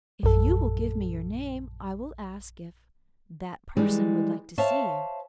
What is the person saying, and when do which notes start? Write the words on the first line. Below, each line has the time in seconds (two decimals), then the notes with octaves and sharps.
"If you will give me your name, I will ask if--that person would like to see you."
0.23 A#1 F#2 A4
3.77 E3 G3 G#3
4.58 C5 C#5 E5 F5 A5